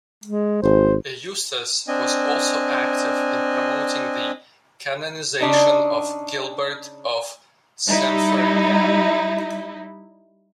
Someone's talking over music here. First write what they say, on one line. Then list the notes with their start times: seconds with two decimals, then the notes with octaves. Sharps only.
Eustace was also active in promoting the canonization of Gilbert of Sempringham.
0.24 G#3
0.63 G#1 C5
1.88 C4 D4 D#5 G#5
5.40 C#3 D4 D#4
7.87 G3 D#4 E4